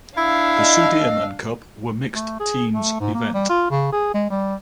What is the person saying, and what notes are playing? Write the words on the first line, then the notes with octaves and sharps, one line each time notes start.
The Sudirman Cup were mixed teams event.
D4 E4 F5 E6
D#5
A3
G#4
A3
G#2
A#3
G3
F4
C#3
G#4
G#3
G3